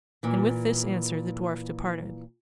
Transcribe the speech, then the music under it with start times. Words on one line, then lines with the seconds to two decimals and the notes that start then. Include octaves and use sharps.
And with this answer the dwarf departed.
0.23 A#2 E3